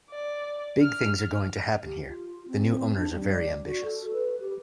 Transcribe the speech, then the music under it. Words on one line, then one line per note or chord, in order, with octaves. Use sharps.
Big things are going to happen here - the new owners are very ambitious.
D5
F6
G4
F4
C4
D4
G3
D5
F#4
A4
B4
G4